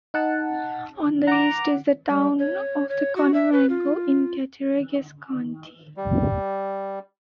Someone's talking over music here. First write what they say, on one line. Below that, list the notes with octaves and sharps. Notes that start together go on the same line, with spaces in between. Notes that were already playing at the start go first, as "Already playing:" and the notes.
On the east is the town of Conewango in Cattaraugus County.
D#4 F#5 A5
F#5 A#5 D6
G3
C#5
C#5
F#4
E5
B4
F4
G3